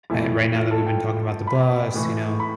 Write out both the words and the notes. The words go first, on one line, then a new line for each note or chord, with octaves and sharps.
eh, right now that we've been talking about the bus, you know,
F2 E3 A3 E4
F4
A4
G5
B5
A2 E3 A3
B5